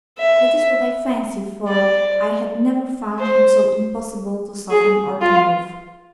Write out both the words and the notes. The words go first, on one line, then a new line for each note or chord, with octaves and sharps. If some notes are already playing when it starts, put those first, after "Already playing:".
That is what I fancy, for I had never found him so impossible to soften or to move.
E5
D5
C5
G#4
F4